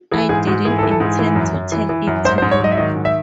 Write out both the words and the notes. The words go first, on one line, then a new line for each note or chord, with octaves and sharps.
I didn't intend to tell it to you.
E3 G#4
G#2 G#4
G#2 F#4
E3 G#4
A4
E3
A4
G#2 G#4
E3
F#2
F#2
E3
E3
F#2
G#2 C5
C5
G#2
C#5
F#3 D#5
E5
D#3 D#5
G#2
E5